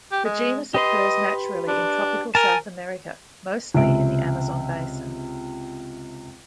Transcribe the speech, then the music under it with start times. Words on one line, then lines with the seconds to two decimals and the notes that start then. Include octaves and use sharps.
The genus occurs naturally in tropical South America, mostly in the Amazon basin.
0.12 G4
0.25 G#3
0.74 G4 B4 D#5 C6
1.68 D4
2.35 A#4 G#5 A5
3.74 C#2 C3 E5 D7